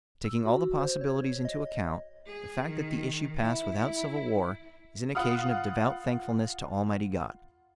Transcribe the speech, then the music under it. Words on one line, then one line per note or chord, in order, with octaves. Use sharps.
Taking all the possibilities into account, the fact that the issue passed without civil war is an occasion of devout thankfulness to Almighty God.
E6
F#4
C5
C#5
D#5
G#4
D#3
E4
E4
F4 F5 F#5 B5 D#6 F6